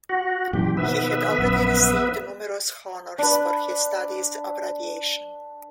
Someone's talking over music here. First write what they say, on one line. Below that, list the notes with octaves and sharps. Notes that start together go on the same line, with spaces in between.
He had already received numerous honors for his studies of radiation.
F#4
F#2 A#2 E3 G4
B2 D#3 F3 B3 B4 E5
A#1 F#2
D4 B4